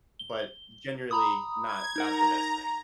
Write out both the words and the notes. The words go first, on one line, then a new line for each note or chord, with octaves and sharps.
but generally not not the best thing.
G7
A#5 B5 D#6
G#6
D#4 A#4 F#5 A#5